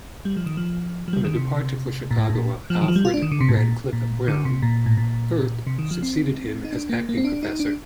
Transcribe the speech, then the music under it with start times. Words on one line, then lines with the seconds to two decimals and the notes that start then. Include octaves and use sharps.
On the departure for Chicago of Alfred Radcliffe-Brown, Firth succeeded him as acting Professor.
0.25 G3
0.37 F3
0.46 D#3
0.57 F3
1.08 F3
1.13 G3
1.24 D#3
1.36 C3
2.11 A#2
2.18 A2
2.30 A2
2.35 A#2
2.70 F3
2.81 D#3
2.88 F3
2.96 G3
3.05 F4
3.14 D4
3.22 D#3
3.31 D3
3.41 C3
3.49 A2
3.57 A#2
3.93 A#2
4.28 D3
4.45 C3
4.62 A#2
4.86 A2
4.97 A#2
5.67 C3
5.79 D#3
5.91 F3
6.02 C4
6.64 D#4
6.73 D4
6.89 A#3
7.09 A#3
7.17 C4
7.25 D4
7.43 D#4
7.60 D4